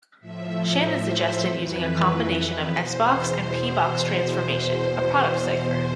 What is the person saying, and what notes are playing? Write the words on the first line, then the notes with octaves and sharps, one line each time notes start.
Shannon suggested using a combination of S-box and P-box transformation-a product cipher.
A2 F3 E5
C5
F2 E3 B4
B4
E2 B2 C5
E2 B2 C5